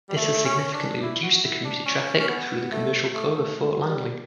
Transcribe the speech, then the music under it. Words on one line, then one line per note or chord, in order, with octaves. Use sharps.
This has significantly reduced the commuter traffic through the commercial core of Fort Langley.
G3
A3
C#4
D4
E4
F#4
F#4
E4
D4
C#4
C#4
B3
A3
A3
A3
A3
G3